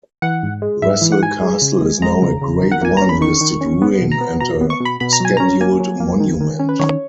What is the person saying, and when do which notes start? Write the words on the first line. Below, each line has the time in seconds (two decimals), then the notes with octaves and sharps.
Wressle Castle is now a Grade One listed ruin and a scheduled monument.
0.22 E3 F#5
0.43 G#2
0.62 G#3
0.82 G#2 E5
1.01 E3
1.12 F#5
1.22 G#2 G#5
1.42 G#3
1.62 C#3
1.82 G#3
2.02 G#3 A#5
2.22 C#3
2.42 C#3
2.62 D#3
2.72 F#5
2.81 A#3 G#5
2.97 C#4 A#5
3.09 B5
3.21 D#3 C#6
3.41 D#3
3.61 C#4
3.82 B3
4.01 B2
4.12 A#5
4.21 B3
4.40 B2 A#5
4.61 B3
4.70 C#6
4.80 B2 B5
5.00 B2 B5
5.13 A#5
5.20 F#3 G#5
5.37 C#4 A#5
5.61 A#3 G#5
5.80 F#3
6.00 A#3
6.20 D#3
6.40 D#3
6.59 C#4
6.69 B4
6.80 D#3 C#5